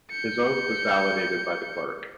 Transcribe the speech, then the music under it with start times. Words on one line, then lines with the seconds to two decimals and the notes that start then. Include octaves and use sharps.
His oath was validated by the clerk.
0.11 G6 C#7